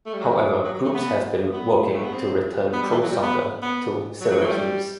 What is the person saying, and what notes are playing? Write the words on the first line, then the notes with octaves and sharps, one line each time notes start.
However, groups have been working to return pro soccer to Syracuse.
A3
G3
F#3
G3
F#3
F#3
A3
B3
B3
A3
B3
C4
B3
G3
E3
F#3
G3
B3
B3
F#3
F#3
E3
A3
G3